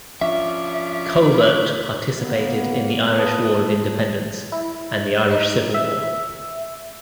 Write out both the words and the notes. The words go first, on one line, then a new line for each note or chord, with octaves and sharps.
Colbert participated in the Irish War of Independence and the Irish Civil War.
F3 C#4 D4 E5
A#3 B3
B4 A5 D#6
E4
D#4
E5